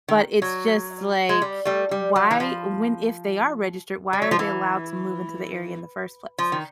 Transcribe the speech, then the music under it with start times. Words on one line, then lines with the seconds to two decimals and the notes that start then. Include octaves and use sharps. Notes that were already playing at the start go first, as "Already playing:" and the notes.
but it's just, like, why when if they are registered, why are they allowed to move into the area in the first place?
0.08 D#3
0.42 F#3
1.29 G#3
1.42 G3
1.65 G3 A3
1.91 G3
2.16 F#3
2.31 E3
2.40 F3
4.13 G3
4.22 F#3
4.31 F3
4.39 E3
6.38 F3
6.52 D#3